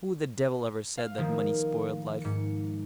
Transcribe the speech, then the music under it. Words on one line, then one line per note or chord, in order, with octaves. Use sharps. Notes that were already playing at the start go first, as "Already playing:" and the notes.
Who the devil ever said that money spoiled life?
F5
D#3 F3 A#3
G#2 C#7